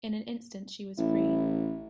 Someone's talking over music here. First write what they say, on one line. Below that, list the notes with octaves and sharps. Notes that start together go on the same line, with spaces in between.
In an instant she was free.
A1 E4